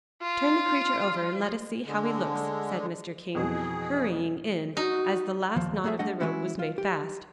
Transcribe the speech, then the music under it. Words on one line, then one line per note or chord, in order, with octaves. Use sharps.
"Turn the creature over and let us see how he looks," said Mr. King, hurrying in as the last knot of the rope was made fast.
F4
D3 G#3
F2 B2 E3 G#4
D#4 F#4
D#2 F3
G3 A3 G#4 A4 E5
G3 A3 D4 D#5 F#5
E3 G3 G#3 C#4 E4 F#4
F4
G4